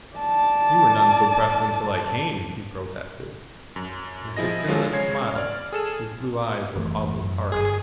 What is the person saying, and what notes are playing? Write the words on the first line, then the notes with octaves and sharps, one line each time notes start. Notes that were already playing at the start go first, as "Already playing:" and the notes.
"You were none so pressed until I came," he protested, and if his thin lips smiled, his blue eyes were oddly hard.
D5 A5
F#2
F3 E4 G#4 D#5 A#6
F3 F#3 G#3 C#4 F4 A4
C#3 G#3 C#5 G#6 C7
D5 F6
G#4 A4 E7
F#1 E3 A3
F#2
G1 G#4